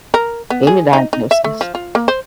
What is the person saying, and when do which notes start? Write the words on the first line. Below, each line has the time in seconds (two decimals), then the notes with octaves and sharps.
Any diagnosis.
0.14 A#4
0.50 B3
0.67 G#4
0.93 D#4
1.13 D#4
1.31 E5
1.44 A3
1.61 F3
1.75 F4
1.95 A#3
2.08 C5